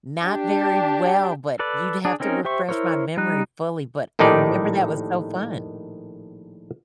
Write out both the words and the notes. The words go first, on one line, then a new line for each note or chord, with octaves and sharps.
Not very well, but you'd have to refresh my memory fully, but I remember that was so fun.
D4 G4
A4 B4 D5
D4 G#4
C4 C#4 D#4 A#4
G4 C5 E5 C#6
E4 A#4 C5 C#5
G3 D#4 F#6
A#1 A2 D#3 D#4 G4 D5